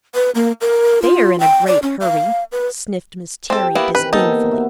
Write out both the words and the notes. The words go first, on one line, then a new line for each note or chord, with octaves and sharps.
"They are in a great hurry," sniffed Miss Terry disdainfully.
B4
A#3
A#4
F4
G5
D5
C#4
F5
B4
C4 G4 A4
A#3 B3 E4
C3 D#3 E3 B4
A#3 B3 D#4 A4
F#4 E5